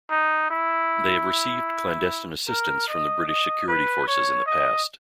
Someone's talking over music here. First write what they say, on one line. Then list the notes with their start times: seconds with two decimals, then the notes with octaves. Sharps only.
They have received clandestine assistance from the British security forces in the past.
0.11 D#4
0.51 E4
2.49 A#4
2.88 D#5
3.28 D#5
3.68 B4
4.07 C#5
4.47 D#5